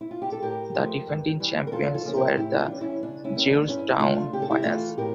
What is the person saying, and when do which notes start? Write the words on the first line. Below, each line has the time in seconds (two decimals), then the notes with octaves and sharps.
The defending champions were the Georgetown Hoyas.
0.01 E4
0.11 F4
0.22 G4
0.32 A4
0.42 A2 G4 A#4
0.75 F3 A3
1.07 G2
1.40 E3 G3
1.67 A#4
1.72 E2 F4 A4
1.94 F4 A4
2.05 C#3 F3 A#3 C#4
2.16 G4 A#4
2.37 A2 E4 G4
2.52 G4
2.59 D4 F4
2.71 E3 G3 C#4
2.81 C#4 E4
3.03 C#3 D4
3.24 C#4 E4
3.35 G3 A#3 C#4
3.46 D4
3.68 G2 C#4 E4
4.00 D3 A3 D4 F4
4.33 C#3 G4
4.42 A4
4.50 E4 G4
4.65 E3 A3 F4 A4
4.98 A2 G4 A#4